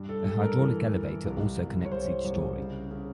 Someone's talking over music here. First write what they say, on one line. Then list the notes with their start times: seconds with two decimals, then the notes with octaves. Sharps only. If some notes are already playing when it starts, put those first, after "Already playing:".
A hydraulic elevator also connects each story.
Already playing: G2
0.09 A4
0.24 G2 A4
0.41 A#4
0.58 E3
0.92 E3
1.25 C2
1.58 C2
1.85 C#5
1.92 C2 C5
2.25 C2
2.58 C#3
2.91 C#3